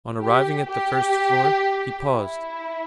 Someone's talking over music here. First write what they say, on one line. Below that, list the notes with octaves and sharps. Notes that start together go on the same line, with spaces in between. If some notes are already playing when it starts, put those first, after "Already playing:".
On arriving at the first floor, he paused.
G4
G4
E4